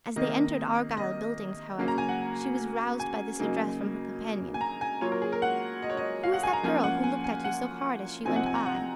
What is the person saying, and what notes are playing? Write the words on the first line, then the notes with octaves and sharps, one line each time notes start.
As they entered Argyle Buildings, however, she was roused by this address from her companion, "Who is that girl who looked at you so hard as she went by?"
C3 D#3 A#3 D#5
D#5
C#3 F#3 A#3 C#4
A#5
G#5
F#5
G#5
C#3 F#3 A#3 D#4
G#5
A#5
G#5
F#3 A#3 F4 C#5
A#4
G#4
A#4
F#5
D#5
C#5
D#5
F5
F#5
G#5
A#5
F3 A#3 C#4 F4 G#5
F#5
G#5
G#5
F#5
C3 F3 C4 D#4 G#5
F#5
G#5
A#5
F#5